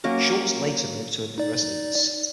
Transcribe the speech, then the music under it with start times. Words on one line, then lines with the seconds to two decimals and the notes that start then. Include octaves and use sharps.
Schultz later moved to a new residence.
0.04 F#3 A#3 C#4 A#4
1.38 D#4 D5